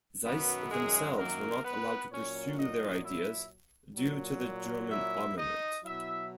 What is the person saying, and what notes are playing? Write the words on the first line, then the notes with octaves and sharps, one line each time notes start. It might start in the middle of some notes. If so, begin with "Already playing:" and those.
Zeiss themselves were not allowed to pursue their ideas, due to the German armament.
F#2 B2 D#3 F#3 B3
G#3 G#4
A#3 A#4
B3 B4
A#2 F#3 C#4 C#5
D#4 D#5
E4 E5
A#2 F#3
E4 E5
D#4 D#5
B2 F#3 E4 E5